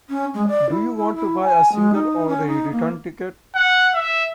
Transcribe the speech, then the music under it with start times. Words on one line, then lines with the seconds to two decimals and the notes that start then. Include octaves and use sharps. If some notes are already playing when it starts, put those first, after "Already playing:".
Do you want to buy a single or a return ticket?
0.09 C#4
0.34 G#3
0.48 D5
0.70 E4
0.96 E4
1.15 E4
1.42 G#5
1.72 G#3
1.93 D#4
2.28 C#4
2.47 D#4
2.71 A#3
3.55 F#5
3.94 E5